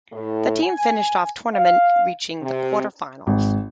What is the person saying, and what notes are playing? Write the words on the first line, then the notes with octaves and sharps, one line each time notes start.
The team finished off the tournament reaching the Quarter-Finals.
A2
G#5
F5
C3
G#1